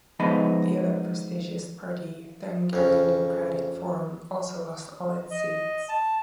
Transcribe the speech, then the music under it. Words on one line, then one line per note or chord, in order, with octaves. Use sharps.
The other prestigious party, the Hungarian Democratic Forum also lost all its seats.
F3 G#3 B3 D#4 D#5 B5
F2 C#3
D#5
A5